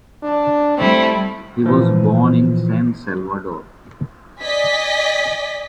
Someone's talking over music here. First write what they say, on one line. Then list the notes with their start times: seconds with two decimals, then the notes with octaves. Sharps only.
He was born in San Salvador.
0.23 D4
0.78 G3 A3 C4 E4
1.66 A#2 E3 F3
4.41 D5 D#5 G#5 B6